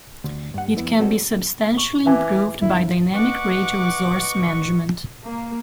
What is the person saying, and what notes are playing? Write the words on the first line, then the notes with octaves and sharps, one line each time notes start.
It can be substantially improved by dynamic radio resource management.
D2
G2 F#5
F2 B3 E4
G3 C4 F#4 A4
C#6
E3 E5 G#5 D6
G1 E4
B4 D#5 F#5 C#6 D6
A#3